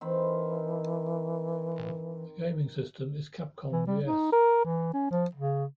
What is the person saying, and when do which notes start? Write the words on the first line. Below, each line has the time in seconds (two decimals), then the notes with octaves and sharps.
The gaming system is Capcom vs.
0.01 D#3 E3 C4 B5
3.72 E3
3.87 G3
4.05 D#4
4.32 A#4
4.64 E3
4.93 C#4
5.11 F3
5.35 C#3